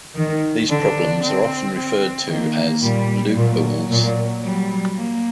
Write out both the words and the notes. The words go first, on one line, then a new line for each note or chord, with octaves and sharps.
These problems are often referred to as "loopholes".
D#3
D3 D4
C4
C4
D#3 A#3
A#2 G3
A#2 F#3
A#2
F#3 G3
A#3